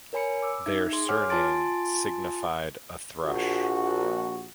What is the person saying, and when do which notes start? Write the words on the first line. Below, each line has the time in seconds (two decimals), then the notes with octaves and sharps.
Their surname signified a thrush.
0.13 A#4 C#5 G#5 B5 C#7
0.42 D6 E6
0.66 D#4 E5 G#6
0.92 G#4 C6
1.09 C#5 F#5 G#5 D6 F6
1.29 F4 G#5 A5 C6 A6 D7
3.25 A#1 F#4